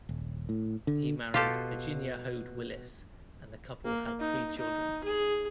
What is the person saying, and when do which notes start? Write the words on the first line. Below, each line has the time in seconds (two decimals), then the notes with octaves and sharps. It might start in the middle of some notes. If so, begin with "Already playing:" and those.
He married Virginia Hode Willis and the couple had three children.
0.09 D#1
0.49 A2
0.87 D3
1.34 B2 F4 G4 A4
3.85 A#3
4.20 D#4
4.58 D#4
5.04 G#4